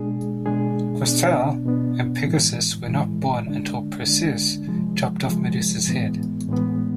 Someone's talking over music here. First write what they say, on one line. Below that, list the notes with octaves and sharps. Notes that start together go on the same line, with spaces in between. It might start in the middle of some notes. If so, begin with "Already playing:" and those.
Chrysaor and Pegasus were not born until Perseus chopped off Medusa's head.
Already playing: B2 G#3 D4 G#4
B2 G#3 D4 G#4
B2 B3 D4
B2 B3 D4
A2 E3 G#3
A2 E3 G#3
D3 G#3 D4
D3 G#3 D4
C3 F3 G#3
C3 F3 G#3
A2 E3 G#3 B3
A2 E3 G#3 B3